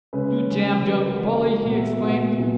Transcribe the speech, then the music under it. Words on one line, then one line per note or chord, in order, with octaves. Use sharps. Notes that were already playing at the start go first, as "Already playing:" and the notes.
"You damned young bully!" he exclaimed.
C#3 G#3 C#4 B4
C#3 G#3 C#4
C#3 G#3 C#4 B4
A#4
F#4
G#4
C#3 G#3 C#4
A#2 F#3 B3 F#4
E5
A#2 F#3 B3 F#5
A#2 F#3 B3